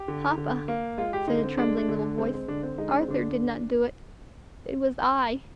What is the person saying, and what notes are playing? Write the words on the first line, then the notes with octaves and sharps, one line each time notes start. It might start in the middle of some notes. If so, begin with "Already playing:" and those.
"Papa," said a trembling little voice, "Arthur did not do it; it was I."
Already playing: G4
D3
D3
A#3
G#3 F4
G4
D3 D#4
C4
G#3 D4
D4
D3
D4
G#3 C4
C4
D3 D4
C4
G#3 D#4
D4
C4
D3 D4